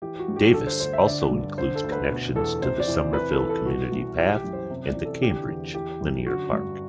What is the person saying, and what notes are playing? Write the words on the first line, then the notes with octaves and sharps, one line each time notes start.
Davis also includes connections to the Somerville Community Path and the Cambridge Linear Park.
E3 G4
F#4
G2
G4
D3 A4
C5
D2 C5
E5
D3 D5
G2
D3 C5
A4
D2
B4
B2
E2 A4
C3 C5
D5
E3
C3 B4
A4
E3
A4
B2 F#4
C2
E3 G4
G4
F#2
C5
C3
D5
E3
A4
D3 G4
E2
E3 G4
F#2
D3 F#4
G2